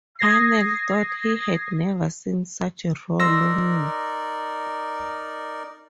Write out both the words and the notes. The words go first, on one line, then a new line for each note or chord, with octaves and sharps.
Pennell thought he had never seen such raw longing.
D#6 G#6 A#6 C7
D#4 A#4 D5 C6 E6 A#6